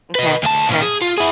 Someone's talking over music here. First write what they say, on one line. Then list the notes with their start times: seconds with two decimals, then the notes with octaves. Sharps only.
Okay. Okay.
0.15 B4 D#5
0.43 D2 A5
0.69 A#2 C#4
0.82 G#4
1.02 F4
1.18 E4 G#4